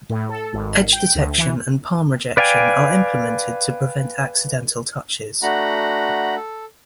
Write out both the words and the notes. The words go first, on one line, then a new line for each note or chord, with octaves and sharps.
Edge detection and palm rejection are implemented to prevent accidental touches.
A2
A4
G#1
G5
D2
E3
B4 D5 F5 G5 G#5
A3 D4 F#4 F#5 A#5 B5
A4